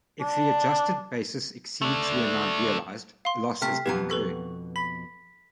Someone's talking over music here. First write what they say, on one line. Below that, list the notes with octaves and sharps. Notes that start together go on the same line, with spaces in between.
If the adjusted basis exceeds the amount realized, a loss has been incurred.
D4
A3 D4
F5 C6
C3 A3 G5 F6 B6
F2 B2 B3 G4 A#5
A4 B4 C#6
B5 B6